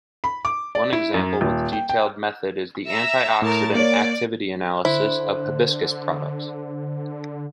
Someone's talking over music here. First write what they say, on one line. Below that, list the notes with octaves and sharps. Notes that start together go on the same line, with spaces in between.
One example with detailed method is the antioxidant activity analysis of Hibiscus products.
B5
D6
D5
E4
F#2
D#1
G5
G5
E5 A#5 E6
A2 A#4 A5
A#3 C#5 D5
D3 E4 C5